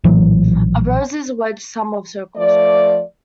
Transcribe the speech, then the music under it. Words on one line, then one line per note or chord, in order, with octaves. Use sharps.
A rose is a wedge sum of circles.
A#1 A2 E3 F#3
F3 A3 D5